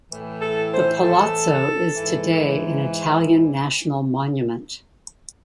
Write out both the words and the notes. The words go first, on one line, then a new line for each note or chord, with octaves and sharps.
The palazzo is today an Italian national monument.
A2 E3
A4
C5
A4
G#2 E3